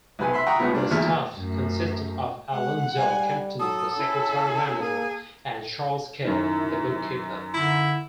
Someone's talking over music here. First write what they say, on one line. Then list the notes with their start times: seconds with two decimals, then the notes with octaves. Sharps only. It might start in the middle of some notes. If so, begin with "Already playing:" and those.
The staff consisted of Alonzo Kempton, the secretary-manager, and Charles Kerr, the bookkeeper.
0.19 B1 C3 B4 G#5
0.33 E5 B5 C6
0.47 E5 F#5 G5 A#5 C#6 D#6
0.59 B1 A2 C#3 F3 B3 E4
0.71 G2 A#2 D4
0.91 G#1 E2 A#2 A3 E4 F6
1.37 F#2 A2
2.52 G#3 F#5
2.96 G3 G#5
3.60 F#3 A4 D#6
3.97 C#4 E4
4.80 A#3 G#4
6.25 F#2 D#3 E4
7.54 D3 E4